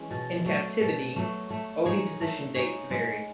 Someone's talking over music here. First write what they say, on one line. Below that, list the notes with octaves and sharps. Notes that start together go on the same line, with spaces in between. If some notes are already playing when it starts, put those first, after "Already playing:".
In captivity, oviposition dates vary.
Already playing: E3 G#3 C#4 G#4
B2
F#3 A3
B2
F#3 A3
A3
D#4 G#4 C#5
A3
D#4 G#4 C#5
G#3